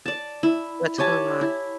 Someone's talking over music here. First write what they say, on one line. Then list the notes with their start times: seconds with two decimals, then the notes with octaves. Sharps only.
What's going on?
0.06 D5 A5
0.43 E4
0.98 G4 C#5 G#5 A5
1.41 E4